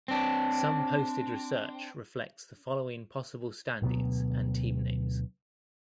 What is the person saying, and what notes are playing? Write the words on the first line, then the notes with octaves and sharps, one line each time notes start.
Some posted research reflects the following possible standings and team names.
C4 D4
D2 B2 F#3 B3